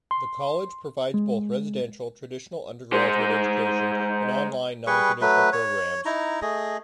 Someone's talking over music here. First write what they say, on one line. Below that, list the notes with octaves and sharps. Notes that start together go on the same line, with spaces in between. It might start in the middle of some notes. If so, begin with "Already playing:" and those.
The college provides both residential, traditional undergraduate education and online, non-traditional programs.
C6
G#3
G#3 C5
G3 G#4 B4 C#6
F#3 A3 B4
C#5
D#4 E4 A#5
A3 G#4 D#5